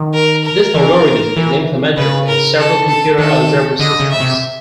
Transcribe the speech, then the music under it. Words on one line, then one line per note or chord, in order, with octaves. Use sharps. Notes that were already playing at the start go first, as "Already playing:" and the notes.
This algorithm is implemented in several computer algebra systems.
Already playing: D#3
A#4
A#4
E3
E3
C#3 B4
A#4
A4
A4
D#3 A4
D3 D#5
C#3
E5
C3